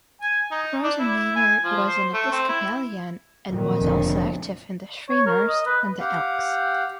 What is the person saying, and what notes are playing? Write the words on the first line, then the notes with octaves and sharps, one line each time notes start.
Rosenmeier was an Episcopalian and was also active in the Shriners and the Elks.
G#5
D#4
D4
E4
G#5
F3
C5
A3
C4
E4
F2 A#2 D#3
F1 D3
C#5
A#4
D#5
B4
G4 F5 F#5